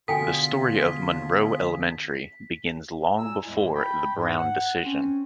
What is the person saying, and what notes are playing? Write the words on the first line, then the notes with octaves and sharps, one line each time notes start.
The story of Monroe Elementary begins long before the "Brown" decision.
B2 D3 F4 G#4 A4 G5 G#5 B6
A#2 G#4 G#5 A#5 E6
E2 A2 E3 G3 G#3 E4
G5 A5 B5
G#2
F#5
C4 C#4